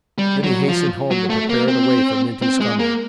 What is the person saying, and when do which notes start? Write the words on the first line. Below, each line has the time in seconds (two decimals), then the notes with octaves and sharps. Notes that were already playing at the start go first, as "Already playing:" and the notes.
Then he hastened home to prepare the way for Minty's coming.
0.18 G3
0.43 F#3
0.69 F3
1.11 F#3
1.30 A3
1.49 A#3
1.68 C4
2.42 C4
2.61 G#3
2.79 A#3